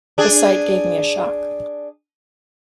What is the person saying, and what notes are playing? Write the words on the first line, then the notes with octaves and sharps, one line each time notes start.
The sight gave me a shock.
D4 G#4